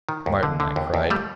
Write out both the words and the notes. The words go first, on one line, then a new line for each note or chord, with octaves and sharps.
"Martin," I cried.
D#3
D#2
D3
D3
D#2
D#2
G3 A3